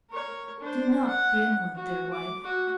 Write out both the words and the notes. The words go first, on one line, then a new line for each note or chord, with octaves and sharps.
'Do not be annoyed, dear wife.
A#4 C#5
D4 C5
F#5
F#4
D6
F#4